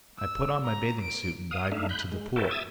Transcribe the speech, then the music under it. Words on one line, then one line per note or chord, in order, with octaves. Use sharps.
I put on my bathing suit and dived into the pool.
E6
A#5
D7
F5 D#6
A3 D4 D#4 E5 F5
B5 F#6 G6
G#3
A#4 B4 C#5 E5 G5 A5
E5 D#6 E6 G#6 A6